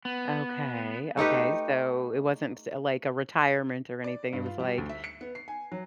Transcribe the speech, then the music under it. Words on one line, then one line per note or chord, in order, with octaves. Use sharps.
Okay, okay, so it wasn't s like, a retirement or anything? It was like,
B3
A3 D#4 G4 B4
D5
G2
F4
G3
D2
E5
C#7
B3
C7
G#5
F#3